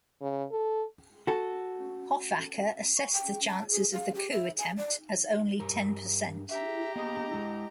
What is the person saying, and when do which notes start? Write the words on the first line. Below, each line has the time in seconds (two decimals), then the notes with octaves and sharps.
Hofacker assessed the chances of the coup attempt as "only ten percent".
0.21 C#3
0.51 A4
1.27 F#4 A4
3.14 G5
3.47 A5
3.72 G#4
3.93 F5
4.15 G4
4.31 E5
4.59 G#5
4.77 D5
5.60 G2 G4 A#4
6.50 G4 E5 A#5
6.96 A#3 B3 G#4 D#5
7.31 G#3 E4